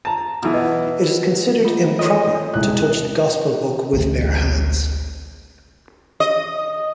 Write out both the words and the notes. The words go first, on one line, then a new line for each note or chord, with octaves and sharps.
It is considered improper to touch the Gospel Book with bare hands.
A5 A#5
B2 E3
B4 D#5 F#5
A3 F4
A4 C#5 D#5 D#6
E1 C2 F#6
A1 D2
D#5